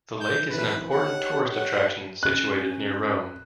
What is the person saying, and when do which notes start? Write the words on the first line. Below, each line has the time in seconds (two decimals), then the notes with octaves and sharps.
The lake is an important tourist attraction situated near Rome.
0.21 G6
0.49 F#2 C3 E3 B4
0.91 D#4 G4 C#5 F#5
1.51 F#5
2.23 C#4 F#6